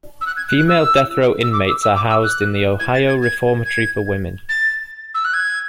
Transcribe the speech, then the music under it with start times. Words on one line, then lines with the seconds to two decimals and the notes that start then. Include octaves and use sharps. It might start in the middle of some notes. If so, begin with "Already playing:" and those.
Female death row inmates are housed in the Ohio Reformatory for Women.
0.21 E6
0.26 F#6
0.37 G#6
0.48 F#6
0.58 F#6
0.68 E6
1.43 E6
1.53 D6
1.68 E6
1.82 E6
1.96 D6
2.10 E6
2.23 F#6
2.80 G#6
2.94 A6
3.08 G#6
3.22 G#6
3.65 G#6
4.49 A6
5.14 E6
5.25 F#6
5.34 G#6